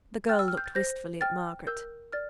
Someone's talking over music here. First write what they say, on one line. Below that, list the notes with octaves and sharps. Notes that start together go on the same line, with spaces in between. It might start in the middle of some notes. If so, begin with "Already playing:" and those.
The girl looked wistfully at Margaret.
G5 F6 A6
E6
F6
G6
A6
C5 G6 A#6
G5 F6 A6
A#4 E6 G6
D5 F6 A6